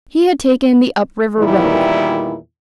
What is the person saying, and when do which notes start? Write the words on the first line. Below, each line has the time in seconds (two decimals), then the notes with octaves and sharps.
He had taken the up-river road.
1.38 E2 A#2 D#3 E3 G3 E4